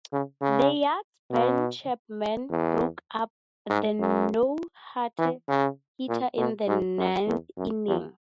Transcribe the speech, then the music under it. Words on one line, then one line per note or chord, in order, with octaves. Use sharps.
The Yanks' Ben Chapman broke up the no-hitter in the ninth inning.
C#3
C#3
B2
E2
G#2
F#2
E3
C#3
A#2
B2
G#2
F#2
E2
F#2
E2